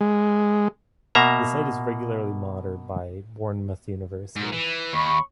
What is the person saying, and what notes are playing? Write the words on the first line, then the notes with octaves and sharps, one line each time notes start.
The site is regularly monitored by Bournemouth University.
G#3
B2 A#3 E5 A#5
G#2
E3
D#2 B5 C#6